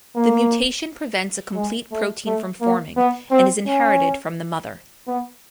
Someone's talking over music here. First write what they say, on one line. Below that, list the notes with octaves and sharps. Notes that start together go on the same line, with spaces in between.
The mutation prevents a complete protein from forming and is inherited from the mother.
A#3
G#3
A3
A3
A#3
B3
C4
C#4
B3